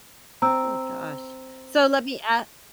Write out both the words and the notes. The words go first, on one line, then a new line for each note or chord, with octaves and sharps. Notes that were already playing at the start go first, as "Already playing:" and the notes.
Ooh gosh. So, let me a
C4 A#5 E6